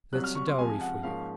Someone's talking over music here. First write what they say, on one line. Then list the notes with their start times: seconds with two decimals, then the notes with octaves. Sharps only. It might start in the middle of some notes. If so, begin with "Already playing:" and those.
That's a dowry for you.
0.13 C2 C3 F#3 F#6
0.24 F6
0.35 C#6
0.48 C6
0.58 C#2 C3 F3 G#5
0.81 F#5
1.03 G#2 F3 A#3 C#4 F5